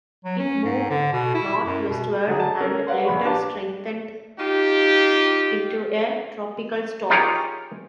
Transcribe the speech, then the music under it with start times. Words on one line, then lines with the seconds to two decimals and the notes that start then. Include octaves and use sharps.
It moved northwestward and later strengthened into a tropical storm.
0.25 F#3
0.39 C#4
0.64 G#2
0.90 D3
1.13 B2
1.34 E4
1.66 F#2
1.89 B2
2.28 D3 F#3 G#4
2.40 A5
2.61 C#4 A4 A#4
2.87 B4 D5 F5 F#5 C6
3.05 A#1 B5 C#6
3.25 D4 G4 B4 F5 A5 D6
4.39 D#4 F4 G4
7.10 D#4 F4 G4 G#4 A#4 C#5